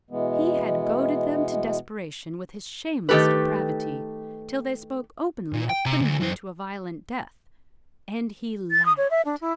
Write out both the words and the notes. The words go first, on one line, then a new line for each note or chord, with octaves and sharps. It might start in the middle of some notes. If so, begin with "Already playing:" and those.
He had goaded them to desperation with his shameless depravity till they spoke openly of putting him to a violent death, and he laughed.
B2 E3 G#3 B3
D#3 A3 G4 A4 B4
A#2
G5
C3 A#5
D2
F#2 C5
A6
D#6
C#5
E5
D4
E4